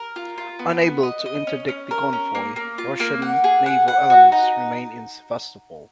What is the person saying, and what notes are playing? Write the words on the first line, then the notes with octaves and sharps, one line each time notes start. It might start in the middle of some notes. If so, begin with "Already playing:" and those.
Unable to interdict the convoy, Russian naval elements remained in Sevastopol.
Already playing: A#4
F4
F4
B3
B3
D#5
D#5
C#4
C#4
A#4
C#4
A#3
A#3
F4
A#3
F#5
G#4
F#5
F#5
F#4
D#4